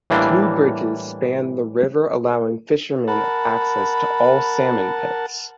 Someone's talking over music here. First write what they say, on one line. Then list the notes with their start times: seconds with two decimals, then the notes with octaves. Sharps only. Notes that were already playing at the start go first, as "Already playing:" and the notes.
Two bridges span the river allowing fishermen access to all salmon pits.
0.10 A2 E3 G3 A#3 D4
3.08 A#4 F#5 A5 B5